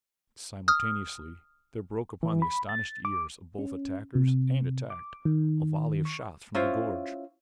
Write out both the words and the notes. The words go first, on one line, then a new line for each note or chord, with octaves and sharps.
Simultaneously there broke upon the astonished ears of both attackers and attacked a volley of shots from the gorge.
D#6 F6
E3
B5
A6
D6
C#4
C3
D6
D#3
C#6
C#4 E4 F4 C5